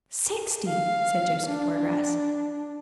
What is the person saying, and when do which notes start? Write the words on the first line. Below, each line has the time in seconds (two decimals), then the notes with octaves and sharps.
"Sixty!" said Joseph Poorgrass.
0.67 F5
1.47 D4